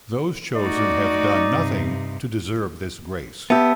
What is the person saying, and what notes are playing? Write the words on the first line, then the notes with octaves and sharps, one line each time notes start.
Those chosen have done nothing to deserve this grace.
A3 D#4 F#4 D5
G2 C3
B3 G4 E5 A5 E6